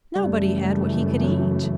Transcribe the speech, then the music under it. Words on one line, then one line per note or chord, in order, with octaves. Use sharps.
Nobody had what he could eat.
F#2 C#3 E3 G3 A3
F#3